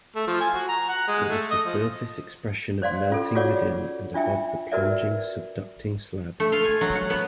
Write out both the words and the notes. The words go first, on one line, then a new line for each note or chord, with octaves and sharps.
It is the surface expression of melting within and above the plunging subducting slab.
A3
F3
G#5
F#4
A#5
F#5
G#3
A3
D#5
F3
C5 D5 F5 C6
C#4 F4 A4
F4 F#4 G#4 C#5 D5 F#5
D4 F4 E5 G5 G#5
F#4 A#4 B4 D5 E5
A3
F4
G#5
F#3
F#5
B3